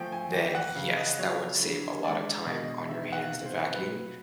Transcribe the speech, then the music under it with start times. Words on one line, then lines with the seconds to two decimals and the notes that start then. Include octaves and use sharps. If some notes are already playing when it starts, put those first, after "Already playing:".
then, yes, that would save a lotta time on your hands to vacuum,
Already playing: F3 A3 G5 G#5
0.12 G#5
0.33 E3 G5
0.55 F#5
0.75 C#3 F5
0.97 D#5
1.18 F#3 C#5
1.61 D3
2.04 G#3 D5
2.46 B2 D#5
2.89 D#3 E5
3.12 F#5
3.18 F5
3.31 C3
3.45 C5
3.74 F#3 B4